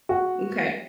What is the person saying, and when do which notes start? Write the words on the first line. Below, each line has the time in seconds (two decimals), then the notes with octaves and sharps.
n okay.
0.09 F#4